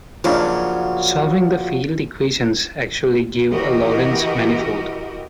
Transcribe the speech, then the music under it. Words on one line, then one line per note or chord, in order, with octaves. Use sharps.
Solving the field equations actually gives a Lorentz manifold.
A#2 C#3 F3 F#3 D4 D#4 F4
E3 E4 F#4 G4 A#4 D#5